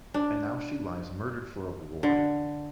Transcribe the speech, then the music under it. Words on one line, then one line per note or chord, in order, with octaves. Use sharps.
And now she lies murdered for a reward!
D4
D3